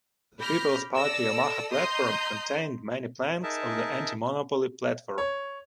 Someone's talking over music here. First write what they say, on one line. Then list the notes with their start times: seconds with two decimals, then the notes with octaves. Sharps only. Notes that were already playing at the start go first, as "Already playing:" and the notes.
The People's Party's Omaha Platform contained many planks of the Anti-Monopoly platform.
0.39 B5 D6 F6 G6 A#6
0.93 A4 D5 E6 A#6
1.71 D#5 A#5 C6 D#6 G6
3.43 D#4 G#4 A#4 E5 A5
5.18 C#5